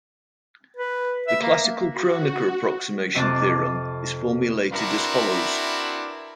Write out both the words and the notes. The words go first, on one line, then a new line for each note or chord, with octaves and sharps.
The classical Kronecker approximation theorem is formulated as follows.
B4
E5
A#3
F#4
F2 C3 D#5 A5 D6 F#6
C4 D4 E4 F#4 A#4 B4